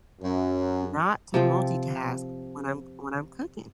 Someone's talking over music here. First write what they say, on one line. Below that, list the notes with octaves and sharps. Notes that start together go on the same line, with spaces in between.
not to multitask when I'm when I'm cooking.
F#2
C3 F3 C4